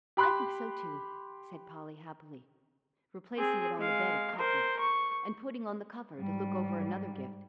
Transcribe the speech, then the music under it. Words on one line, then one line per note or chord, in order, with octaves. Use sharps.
"I think so too," said Polly, happily, replacing it on the bed of cotton, and putting on the cover to look over another gift.
G4 B5 C6 F#6
C4 G#4
G#3 F5
A#4 C5
C#6
G#2 G3